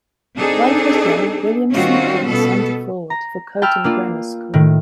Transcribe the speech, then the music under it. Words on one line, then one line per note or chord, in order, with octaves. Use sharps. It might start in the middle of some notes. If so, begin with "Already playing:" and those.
While he was young, Williamson played centre-forward for Coatham Grammar School.
C4 D4 D#4 G#4 A4
D#3 G3 C4 C#4 F4 F#4
B2 B3 A4
A#5
G5 A5 B5 E6 F6
A#3 D4 F4
A2 D#3